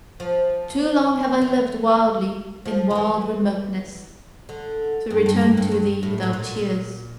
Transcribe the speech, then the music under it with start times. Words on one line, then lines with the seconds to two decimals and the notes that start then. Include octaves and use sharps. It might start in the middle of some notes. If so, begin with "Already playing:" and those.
Too long have I lived wildly in wild remoteness, to return to thee without tears!
0.20 F3
1.42 E3
2.66 F3
2.91 D3
2.95 E3
4.49 D3
5.11 G2
5.26 G2
5.41 G2
5.57 G2
5.72 G2
6.03 A2
6.23 A2
6.33 A#2